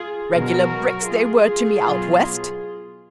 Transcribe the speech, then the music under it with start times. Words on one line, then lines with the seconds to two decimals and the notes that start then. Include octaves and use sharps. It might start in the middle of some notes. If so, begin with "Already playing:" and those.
Regular bricks they were to me out West!
Already playing: F4 G#4
0.33 B2 F#3 F#4 A#4
1.09 F4 G#4
1.85 B2 F#3